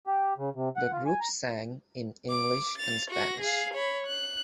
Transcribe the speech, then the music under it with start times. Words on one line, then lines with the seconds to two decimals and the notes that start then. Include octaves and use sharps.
The group sang in English and Spanish.
0.07 G4
0.38 C#3
0.55 C3
0.76 F#5
0.92 F4
1.06 G#5
1.20 A#5
2.30 D6
2.78 A6 F7
3.11 F#4 A#6
3.41 G#4 F5
3.74 C#5 B5
4.07 F#6